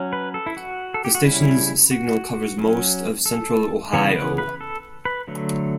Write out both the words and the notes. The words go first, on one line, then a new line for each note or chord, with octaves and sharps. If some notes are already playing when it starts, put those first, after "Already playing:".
The station's signal covers most of central Ohio.
Already playing: F#3 C#4
B4
A4
E4
F#4
A4
G4
F#4
C#3 G3 C#4 E4
F#4
F#3 C#4
A4
C#3 E3 B3 C#5
B4
B4
A4
B4
D3 F#3 A3